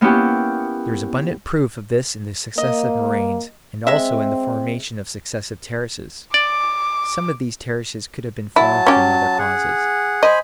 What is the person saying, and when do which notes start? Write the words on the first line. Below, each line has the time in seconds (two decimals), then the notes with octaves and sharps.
There is abundant proof of this in the successive moraines and also in the formation of successive terraces. Some of these terraces could have been formed from other causes.
0.01 A#3 B3 C#4 E4 G4
2.58 A#3 D#5
3.87 G#3 C4 E5
6.34 D5 D6
8.56 F#3 E4 A5
8.87 C#4 G4
9.38 G#4 F#5
10.23 C5 D#5 G#5 B5